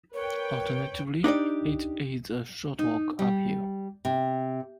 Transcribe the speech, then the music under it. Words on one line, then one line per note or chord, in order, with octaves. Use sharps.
Alternatively, it is a short walk uphill.
A#4 B4 C#5 G5
D4 D#4 G4 D5
D#4
G3
C3